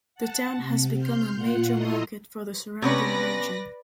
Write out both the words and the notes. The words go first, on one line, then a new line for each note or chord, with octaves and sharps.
The town has become a major market for the surrounding region.
F#5 A5
C3
C6 F6 G6
A#2 F4 F#5
E4 A4 D#5 A#5 C6 D#6
C3 B3 C#4 B4 D5 A#6